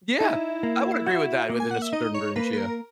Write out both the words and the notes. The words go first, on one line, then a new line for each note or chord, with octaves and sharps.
Yeah. I would agree with that within a certain range. Yeah.
D#4 E4
A#3
F#4
A#3
G#5
F#5
E5
D#4 D#5
C#5
A#3 B4
B4
A#4